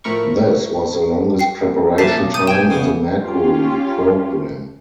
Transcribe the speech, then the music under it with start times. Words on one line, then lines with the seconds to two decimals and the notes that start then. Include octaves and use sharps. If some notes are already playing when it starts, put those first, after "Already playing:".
This was the longest preparation time in the Mercury program.
0.04 A2 F3 A3 A#4 B5 C#6
1.39 G5 C7
1.98 A#2 E3 A5 B6 C7
2.17 B1
2.34 D#6 G6 D#7
2.47 G5 G#5 E7
2.70 C#3 E3 B3
3.20 C#4 F4 G4